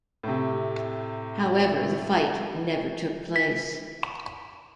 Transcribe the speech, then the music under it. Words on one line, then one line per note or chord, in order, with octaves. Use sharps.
However, the fight never took place.
A2 C3
B6